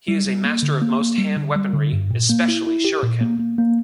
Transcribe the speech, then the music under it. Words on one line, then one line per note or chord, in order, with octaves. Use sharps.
He is a master of most hand weaponry, especially shuriken.
G3
G3
A#3
D3
A#3
A#3
G3
D3
G3
D3
G2
A#2
A#3
E4
E4
G4
A#2
A#3
A#3
A#3